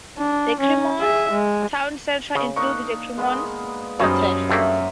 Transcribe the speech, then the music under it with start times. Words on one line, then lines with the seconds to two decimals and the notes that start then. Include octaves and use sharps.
The Cremorne Town Centre includes the Cremorne Hotel.
0.18 D4
0.60 C#4
0.99 G#4 E5
1.31 G#3
2.35 C#3
2.56 A#3 D4 D#4 C#6
3.17 G#3 A#3 B3
4.00 F#2 G3 D#4 C5 C#5 D#5
4.50 G2 F#3 A3 A#3 E5